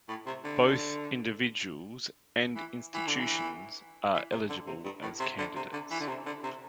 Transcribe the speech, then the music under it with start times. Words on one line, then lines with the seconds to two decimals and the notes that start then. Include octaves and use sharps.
Both individuals and institutions are eligible as candidates.
0.08 A2
0.27 C3
0.44 D3
2.56 E3
2.94 E3
3.07 D3
3.20 E3
4.14 E3
4.32 C3
4.49 D3
4.67 C3
4.85 G2
5.02 A2
5.20 C3
5.38 D3
5.56 C3
5.73 D3
5.91 E3
6.00 D3
6.08 C3
6.26 D3
6.44 C3